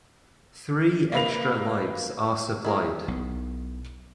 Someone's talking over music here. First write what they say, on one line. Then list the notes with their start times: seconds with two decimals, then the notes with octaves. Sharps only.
Three extra lives are supplied.
1.12 A#3 B4 F7
2.65 E4 G#4 A#4
3.08 B1